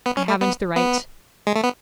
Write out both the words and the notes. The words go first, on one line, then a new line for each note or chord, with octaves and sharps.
I haven't the right.
B3
C#4
A3
B3
B3
G#3
A3
B3